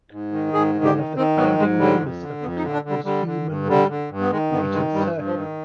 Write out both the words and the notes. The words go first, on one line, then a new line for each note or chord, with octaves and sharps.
One of the founding members of the club was Hugh Munro, later Sir Hugh.
G#2
D#3
G#2 G#4
D#3
G4
D#3
D#3 C4
G#2 B3
G#2 G#3
D3 G3
F2
D3
F2 B3
D#4
D3
D4
D3
G3
D3 G3
D3
G2
D3 G3
D3
G2
B3
D#3 G#3
G2 B3
D#3 G#3
G2 G3
G2
F3
D#3